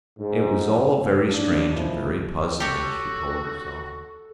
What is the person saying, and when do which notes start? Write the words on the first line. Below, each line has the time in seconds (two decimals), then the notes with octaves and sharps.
It was all very strange and very puzzling, she told herself.
0.19 G#2
1.26 F#3 A#3 D4
1.72 F#2 A2 F3 D#4 E4
2.60 F#4 G4 A4 C#5